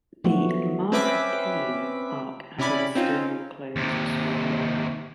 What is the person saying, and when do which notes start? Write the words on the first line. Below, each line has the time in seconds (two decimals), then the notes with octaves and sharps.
The "Mark of Kaine" arc added still more clones of Spider-Man.
0.24 F3 F#3 A3 B3 F#4
0.92 C4 C#4 B4 E5 D6 B6
2.58 C3 C#4 E4 D5 B5
2.95 C4 C#4 D#4 F4
3.76 D#2 C3